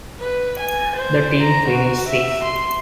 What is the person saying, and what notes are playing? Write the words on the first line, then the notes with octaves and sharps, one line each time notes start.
The team finished sixth.
B4
G#5
C5
A#5
F#4
E5
C6